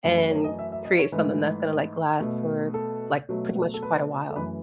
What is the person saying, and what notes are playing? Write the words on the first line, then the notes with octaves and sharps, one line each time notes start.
and create something that's gonna, like, last for, like, pretty much quite a while.
F#2 E3 A3
B4
C#5
D#5
E5
E5
D#5
C#5
G#2 E3 A3 B4
B2 A3
A4
B2 F#3 A3
A4
B4
A4
F#2 E3 A3 B4